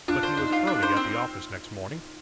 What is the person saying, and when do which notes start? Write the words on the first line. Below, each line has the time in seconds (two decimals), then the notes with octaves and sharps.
But he was early at the office next morning.
0.08 D4 F4
0.23 C5
0.37 D4 D#4
0.52 F4
0.67 D4
0.82 C5
0.97 C4